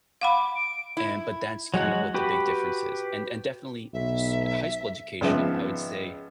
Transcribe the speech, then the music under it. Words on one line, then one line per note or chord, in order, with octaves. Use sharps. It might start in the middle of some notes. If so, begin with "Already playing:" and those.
and but that's kind of what the big difference is. And and definitely s high school education, I would say
F5 F#5 B5 D6
D7
E4
F#3 G#3 F#4 F#5
F#4 G4 B4
B1 E5
G#1 C#3 F3 B3 E5